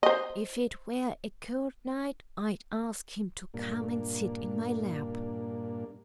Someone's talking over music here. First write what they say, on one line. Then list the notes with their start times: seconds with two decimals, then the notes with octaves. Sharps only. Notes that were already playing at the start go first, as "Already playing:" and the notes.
If it were a cold night I'd ask him to come and sit in my lap.
0.03 C5 D#5
3.54 G2 A#2 A#3 D4